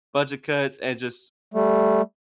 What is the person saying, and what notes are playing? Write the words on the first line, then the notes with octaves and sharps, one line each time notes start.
Budget cuts, and just
G3 A3